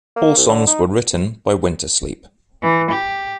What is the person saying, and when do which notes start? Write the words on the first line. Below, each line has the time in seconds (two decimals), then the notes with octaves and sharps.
All songs were written by Wintersleep.
0.16 A#3
0.37 C2
0.48 D3
0.67 D#4
2.62 E3
2.91 G4